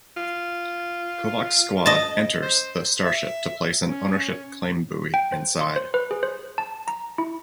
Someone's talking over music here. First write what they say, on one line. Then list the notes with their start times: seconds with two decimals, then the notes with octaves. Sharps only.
Kovacs' squad enters the starship to place an ownership claim buoy inside.
0.17 F4
1.86 D#5 A5
2.42 C5
3.04 E5
3.87 C#4
5.14 G5
5.32 C5
5.61 C6
5.76 C5
5.94 B4
6.11 G#4
6.23 C5
6.58 A5
6.88 A#5
7.18 E4